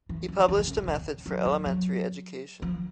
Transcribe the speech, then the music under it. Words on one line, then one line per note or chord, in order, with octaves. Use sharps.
He published a method for elementary education.
E3
F3
F#3
E3
D3
C#3
C3
C3
F#3
F#3
F#3
F3